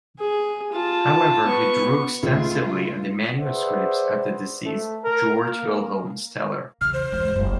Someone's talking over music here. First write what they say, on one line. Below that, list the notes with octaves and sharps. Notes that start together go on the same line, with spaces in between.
However, he drew extensively on the manuscripts of the deceased Georg Wilhelm Steller.
G#4
F4 A5
B3 C#6
C#2 A3 F4
G#4 B4 C5 D5 E5 F#5
A3
A#4
A#3
E2 C#3 F6
C5
G#1 E2
F#1